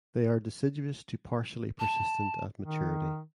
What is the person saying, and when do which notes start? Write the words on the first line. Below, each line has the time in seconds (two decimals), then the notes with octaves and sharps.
They are deciduous to partially persistent at maturity.
1.80 A5
2.61 D#3